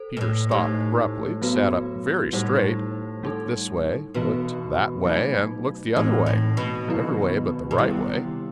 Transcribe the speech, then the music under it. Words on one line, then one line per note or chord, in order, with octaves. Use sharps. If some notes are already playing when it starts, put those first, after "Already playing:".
Peter stopped abruptly, sat up very straight, looked this way, looked that way and looked the other way, every way but the right way.
Already playing: A4 C5
B2
A2
A2 A3 D#4 G4 C5
F#3 B3 F#4 B4
A2 G3 D#4 G4 C5
G3 D#4 A4
B2 E3 B3 F#4 B4
F#3 A3 D#4
A2 E3 A3 C4 D#4
A2
B2
D#3 F#3 B3 E4 B4
B2
C3 D#3 G3 B3 E4 G4